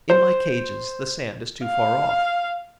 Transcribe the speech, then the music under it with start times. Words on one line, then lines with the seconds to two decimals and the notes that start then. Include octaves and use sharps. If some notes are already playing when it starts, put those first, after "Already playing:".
In my cages, the sand is too far off.
0.10 C5
1.65 F5